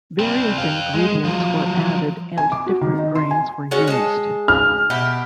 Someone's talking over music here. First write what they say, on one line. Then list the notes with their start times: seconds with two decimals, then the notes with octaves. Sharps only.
Various ingredients were added and different grains were used.
0.20 G3 C4
0.58 F5 G5
0.94 G#3
1.25 F3 F#3
2.38 G#5
2.52 D6
2.67 F#4
2.81 D#3
2.99 D#4
3.16 C6
3.31 G#5
3.71 G#3 C#4 F#4
3.87 G#3 A5
4.48 F6
4.90 B2 G4 E5